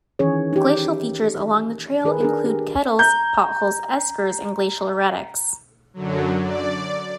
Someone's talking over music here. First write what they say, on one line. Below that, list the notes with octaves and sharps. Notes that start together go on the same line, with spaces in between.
Glacial features along the trail include kettles, potholes, eskers, and glacial erratics.
D#3 E3 C#4 G#4 C#5
D#4 G4
D#3 G#4 A#4 B4
D4 G#4 A#4
G4
A#5 G6
F#2 D3 F#3
D5